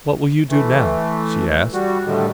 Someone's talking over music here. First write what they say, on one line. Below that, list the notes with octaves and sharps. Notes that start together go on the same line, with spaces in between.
"What will you do now?" she asked.
E3 A3
G3 F#4
A2 D3 D#3 G3